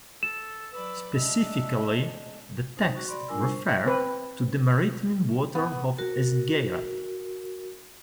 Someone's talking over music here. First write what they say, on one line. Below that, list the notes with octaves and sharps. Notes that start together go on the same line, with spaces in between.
Specifically, the texts refer to the maritime waters of Esgueira.
A4 E7
F#3 B4 D5 B5 E6
G#3 C#4 D4 D#5 E5
D#4 C5
F#4 C#6
D5 B5 C6
G3 D4 F4 A#4 G#5 E6
C5 C#6
C4 B4
B3
F#4 A#4